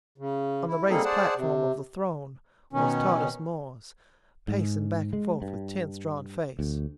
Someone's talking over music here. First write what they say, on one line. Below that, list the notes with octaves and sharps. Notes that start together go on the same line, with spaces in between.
On the raised platform of the throne was Tardos Mors, pacing back and forth with tense-drawn face.
C#3
E4
G3 A#3 C4 D#4 G#4 A4
G#4 C5 D5 F#5 A5
C3
B2 D#3 C#4
G#2
G#3
G2
D2